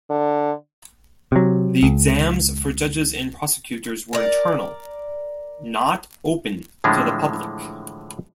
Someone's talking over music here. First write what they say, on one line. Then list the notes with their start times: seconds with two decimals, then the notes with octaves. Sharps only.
The exams for judges and prosecutors were internal, not open to the public.
0.10 D3
1.32 C3 F#3
1.83 C#2
4.13 A#4 D5
6.84 A2 D3 E3 F3 G#3 D4